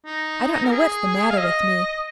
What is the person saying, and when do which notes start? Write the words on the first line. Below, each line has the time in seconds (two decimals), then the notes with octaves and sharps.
I don't know what's the matter with me.
0.05 D#4
0.65 A#4
0.72 G#4
1.30 F5
1.37 D#5